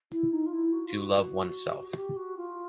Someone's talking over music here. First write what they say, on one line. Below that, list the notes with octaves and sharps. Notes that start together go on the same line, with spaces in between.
To love oneself.
E4
D#4
F4
E4
F#4
F4
F#4
F#4
G4
F#4
F#4
G4
F#4
F4